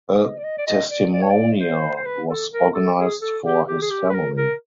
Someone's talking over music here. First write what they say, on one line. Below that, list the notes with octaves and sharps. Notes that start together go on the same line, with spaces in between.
A testimonial was organised for his family.
D#5
D5
D#5
D5
D#5
D5
D5
C#5
D5
C5
C5
B4
A4
A#4
A4
G#4
A4
G4
G4
G#4
G4
B4
A#4
A#4